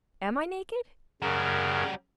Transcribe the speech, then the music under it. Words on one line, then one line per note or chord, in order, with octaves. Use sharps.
'Am I naked?
F#2 C#3 F#3 G3 A#4